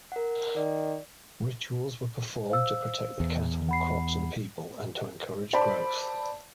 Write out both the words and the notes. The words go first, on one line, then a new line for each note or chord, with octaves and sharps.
Rituals were performed to protect the cattle, crops and people, and to encourage growth.
A#4 F#5
D#3 D5
C5 F5 E6
E2
F#5 B5 C7
C5 D5 A5 B5